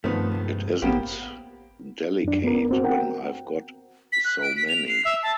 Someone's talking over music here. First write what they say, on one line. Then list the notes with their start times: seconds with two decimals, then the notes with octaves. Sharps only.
It isn’t delicate when I’ve got so many.
0.04 G2 D#3 F3 A3 B3
0.32 C#2 C3
0.82 A1 A#3 B3 G4 C5
2.24 F#2 D4
2.44 B3 A#4
2.71 C4 F#4
2.84 A#4 F#5 G5
4.12 B6
4.25 F#6
4.43 D7
4.57 B6
4.69 F7
4.88 C7
5.05 E5
5.23 A5